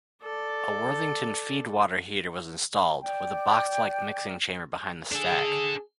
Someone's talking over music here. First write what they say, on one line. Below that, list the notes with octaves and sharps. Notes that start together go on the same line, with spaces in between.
A Worthington feedwater heater was installed, with a boxlike mixing chamber behind the stack.
A4 D5
D5 G5
D4 G#4 A4